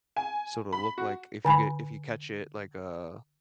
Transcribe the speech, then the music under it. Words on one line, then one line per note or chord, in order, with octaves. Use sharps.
Sorta look like, if you get if you catch it, like a
G#5
B5
F#4
D3 G#5 B5